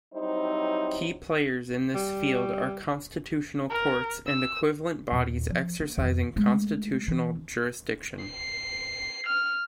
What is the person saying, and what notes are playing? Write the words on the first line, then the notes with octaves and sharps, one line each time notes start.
Key players in this field are constitutional courts and equivalent bodies exercising constitutional jurisdiction.
F#3 G3 C4 D#4 E4 C5
G3
A#4
E6
D#2 A#2
F3
A#3
F2 D#3
G#3 A3
E3
C7
F6